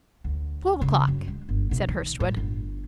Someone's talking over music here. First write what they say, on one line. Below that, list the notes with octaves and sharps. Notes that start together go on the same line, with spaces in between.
"Twelve o'clock," said Hurstwood.
D2
C#3
F#2
G#3
G1
B1
D#3
A2
G1